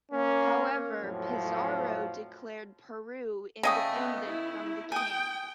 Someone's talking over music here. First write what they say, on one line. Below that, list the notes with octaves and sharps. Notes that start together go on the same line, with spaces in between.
However, Pizarro declared Peru independent from the King.
A#3 C#4
F2 A2 F3 F#3
C#3 A3 D#5 G5 D#6
B3
E4
G5 G#5 D#6